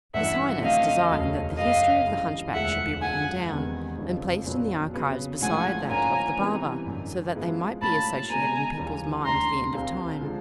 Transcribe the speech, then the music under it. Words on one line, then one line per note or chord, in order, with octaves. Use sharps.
His Highness desired that the history of the hunchback should be written down, and placed in the archives beside that of the barber, so that they might be associated in people's minds to the end of time.
A1 G2 E3 E5 F#5
F2 D3 F#3 A3 C4 D#5 F5
E1 D2 C#3 F#3 A3
F#1 F#2 C#3 D#5 F5
G2 E3 G3
E1 D2 D3 F3 G#3 E5 F#5
F#2 D3 F3 G#3 F#5 G#5
E2 C3 D#3 G#3 B3
F1 F2 C#3 F3
A#1 A#2 F#3 B3
C#3 F#3 B3
A#1 A2 F3 G#3 F#5 G#5
G#2 F3 A#3 C#4 G#5 A#5
C3 E3 G3 B3
G#1 F#2 D3
G#2 F3 G#3 B3 E4
A2 F#3 A#3 C#4 A5 B5
B2 G#3 B3 G#5 A#5
D#2 C#3 E3 G3
D2 D3 G3 A#5 C6
C2 A#2 G3 C4 F4
D3 F3 G#3